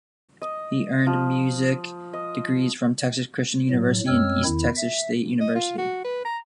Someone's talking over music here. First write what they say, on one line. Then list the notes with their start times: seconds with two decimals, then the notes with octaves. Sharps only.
He earned music degrees from Texas Christian University and East Texas State University.
0.42 D#5
1.07 F3
2.13 D#5
3.70 A2 F#3
4.07 F#2 G#3 C4 C#5 E6 F6
4.44 E2 D#3 E4
4.77 E5
5.41 D#5
5.55 F4
5.78 F#4
6.05 B4
6.25 A#5